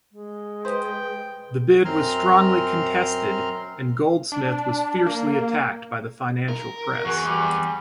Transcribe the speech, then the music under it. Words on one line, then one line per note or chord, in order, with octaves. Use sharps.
The bid was strongly contested and Goldsmith was fiercely attacked by the financial press.
G#3
B4 C5 D#5 G5
F#2 C4 A#5 C6 F6
D4
A#3
A#4
E2 F#4
G3